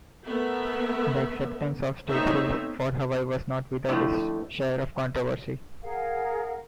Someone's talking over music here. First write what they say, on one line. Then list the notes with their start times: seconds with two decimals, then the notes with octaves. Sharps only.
The acceptance of statehood for Hawaii was not without its share of controversy.
0.24 A3 B3 A#4 E5
2.06 A3 B3 C4 D#4 C#5 E5
3.89 F2 A2 D3 A3
5.83 G#4 A#4 F5 F#5